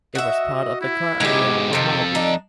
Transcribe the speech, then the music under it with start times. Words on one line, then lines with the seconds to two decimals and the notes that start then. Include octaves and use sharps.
It was part of the core area of Mallabhum.
0.15 F#4 D#5 E5
0.81 E4
1.20 G#2 B2 G#3 G4
1.73 F2 C3 D#3 A4
2.15 D4 D#4